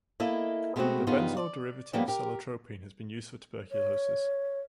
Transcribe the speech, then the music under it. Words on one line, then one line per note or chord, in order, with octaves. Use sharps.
The benzoyl derivative cellotropin has been used for tuberculosis.
A#3 E4 A4 D#5
B2 G#3 A3 B3 C4 F#4
G2 C#3 G3 B3 D#4 F4
D5
F3 G3 A#3 B3 C#4
G4 A#4
C#5